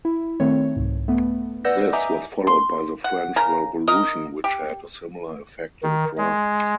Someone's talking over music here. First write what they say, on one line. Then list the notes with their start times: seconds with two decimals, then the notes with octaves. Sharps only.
This was followed by the French Revolution which had a similar effect in France.
0.05 E4
0.40 D#3 A3 C4 C#5
0.76 C2 G#2
1.08 A3 B3
1.65 B4 D5 F#5 E6 G6 A#6
1.93 D#5 E5 G#5 A#5 D6 G6
2.47 C6
3.04 F#5
3.36 C#3 A#4 A#5
3.88 A#4 D#5
4.44 G4
5.83 D#3
6.18 G#3